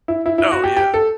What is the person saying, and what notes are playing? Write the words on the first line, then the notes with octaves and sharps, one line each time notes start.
Oh, yeah,
E4
E4
E4
F#4
G4
G4
A4